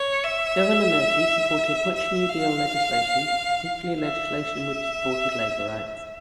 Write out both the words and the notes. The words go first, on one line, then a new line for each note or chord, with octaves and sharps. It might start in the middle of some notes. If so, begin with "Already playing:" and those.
Governor Murphy supported much New Deal legislation, particularly legislation which supported labor rights.
Already playing: C#5
E5
E5
F5
E5